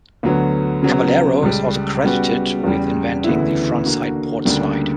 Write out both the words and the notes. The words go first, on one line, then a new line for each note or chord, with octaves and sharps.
Caballero is also credited with inventing the frontside boardslide.
D2 D3 F#3 B3
C#3 F#3 B3
C#2 C#3 G3
C#3 G3 B3 F#4
E2 C#3 G3
D2 C#3 E3 B3 E4
D3 A#3 D4 F#4
D2 C#3 G3 A#3 D4